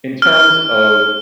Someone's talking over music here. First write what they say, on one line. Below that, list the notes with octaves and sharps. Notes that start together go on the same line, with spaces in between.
In terms of
F6